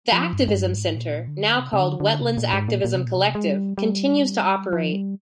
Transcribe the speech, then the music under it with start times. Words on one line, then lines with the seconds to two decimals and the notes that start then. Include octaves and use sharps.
The Activism Center, now called Wetlands Activism Collective, continues to operate.
0.12 F3
0.33 G2
0.48 G#2
0.54 G2
0.75 G#2
0.96 A#2
1.28 D3
1.59 C3
1.73 C3
1.80 D3
2.00 D3
2.21 C3
2.37 A#2
2.53 G#2
2.68 A#2
2.84 A#2
2.95 C3
3.05 A#2
3.16 C3
3.35 G#3
3.47 G3
3.78 G3
4.73 F3
4.93 G3